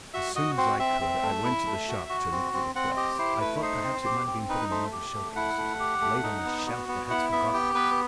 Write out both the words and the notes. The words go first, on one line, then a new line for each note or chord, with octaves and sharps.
As soon as I could, I went to the shop to look for the cross. I thought perhaps it might have been put in one of the showcases, or laid on the shelf, perhaps forgotten.
F#4 E5
F#4 D#5
C4 C5
C4 E5
C4
A3
E4
A3
F#4
F#4
C4
C4
C4 F#5
G4 D#5
E4 C5
A3 B4
D#4 C5
C4
G4
C4
D#4 B4
A3 C5
G4
A3
E4 F#5
A3
G4
A3
D#4
B3
F#4
B3
E4 F#5
B3 E5
G4 G5
B3 B4